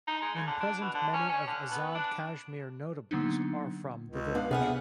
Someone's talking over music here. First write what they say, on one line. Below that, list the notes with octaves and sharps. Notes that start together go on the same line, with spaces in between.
In present many of Azad Kashmir notables are from the village.
D#4
G#3
C#3
D3
D4
B2
D3
C#4
C#4
D3
B3
D4
D3 F#3 A#3 B3 D4 D#4
C#2
B3 D4 F5
C3 B3 G#4 D5 E5 F#5 F6